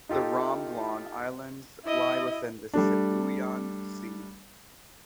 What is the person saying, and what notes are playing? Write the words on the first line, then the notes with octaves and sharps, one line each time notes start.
The Romblon Islands lie within the Sibuyan Sea.
D#4 F4 G4 A4
E4 D#5
G3 A3 D4